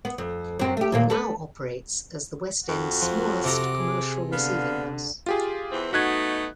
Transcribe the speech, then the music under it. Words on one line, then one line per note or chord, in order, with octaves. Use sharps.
It now operates as the West End's smallest commercial receiving house.
B3
F2
F#2 C4
A3 G4
D#2 A#2 A#3
A4 B4
F2 F#4
F3
C3 A4 A#5 D6
G#4
D3 B3 F5
F4 G4 G#4
E2 E3 C4
A3 B3 D#4 F#4 F#6 G#6